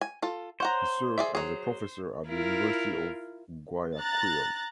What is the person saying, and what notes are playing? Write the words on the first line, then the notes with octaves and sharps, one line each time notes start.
He served as a professor at the University of Guayaquil.
G#5
F4 A4
C5 C#5 F#5 A#5
G#4 D5 E5
F#3 G#4
E4 F4 A#4
A#5 F#6 A6